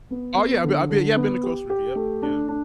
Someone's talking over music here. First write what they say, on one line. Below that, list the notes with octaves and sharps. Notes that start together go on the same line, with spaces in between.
Oh, yeah, I've bee I've been yeah, I've been to Costa Rica. Yep, yeah.
B3
B3
D3
D3
B3
G4
G4
A3
D4
D4